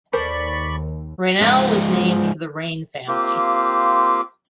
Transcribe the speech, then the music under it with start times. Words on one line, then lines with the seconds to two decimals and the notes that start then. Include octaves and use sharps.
Rainelle was named for the Raine family.
0.13 D#2 A4 A#4 C5 D5 B5 C#6
1.41 G#2 F3
3.08 A#3 C4 F4 G4